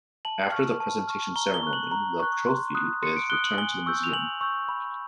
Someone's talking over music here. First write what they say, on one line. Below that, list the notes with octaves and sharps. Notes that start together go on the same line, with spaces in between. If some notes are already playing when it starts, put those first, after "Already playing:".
After the presentation ceremony, the trophy is returned to the museum.
A5 F#7
C#6 F6
A5
C#6 F6
A#5 G7
G7
C#6 F#6
F#7
A#5
C#6 F#6
C6
D#6 F#6
C6 C#7
D7
D#6 F#6 G7
F#7
G#5 G7
C#6 E6 G6
F7
G#5 F#7
C#6 E6 G6
B5